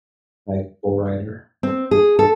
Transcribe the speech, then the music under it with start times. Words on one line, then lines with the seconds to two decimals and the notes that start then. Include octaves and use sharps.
like, bull rider.
1.63 C4
1.91 G#4
2.19 A4